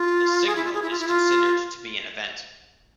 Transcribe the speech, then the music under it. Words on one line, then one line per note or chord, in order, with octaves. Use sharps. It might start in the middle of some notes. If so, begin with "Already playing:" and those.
The signal is considered to be an event.
Already playing: F4
G#4
E4
F4
G#4
E4
F4
E4
F4